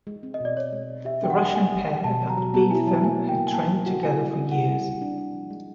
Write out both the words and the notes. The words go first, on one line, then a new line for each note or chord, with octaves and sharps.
The Russian pair that beat them had trained together for years.
G#3
C4
D#5
B2 D5
B2 C#5
G#3
G#3
G4 E5
D4 G5
F#5
G#3
G#3 G#5
G4
G#3
B2 A5
F#3
A#5
F#3
B3 A5
E4 G#5
F#3 A5
A#3 G#5
F#4
G5
A#3
G#5
A#3 A5
A#3
F#4
E4 G#5
G3
C4
E4 F#5
G3
E4
D4
D4
F3
G#3